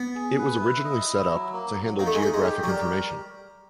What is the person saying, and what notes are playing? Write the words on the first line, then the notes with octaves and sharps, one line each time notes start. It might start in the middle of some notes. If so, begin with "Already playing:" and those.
It was originally set up to handle geographic information.
Already playing: B3
G#4
B4
E4
D#5
E4
F#3
A#3
F#3
A#3 D#4
A3
G#3
A3 D#4
G#3
G4
F#3
G3 A#4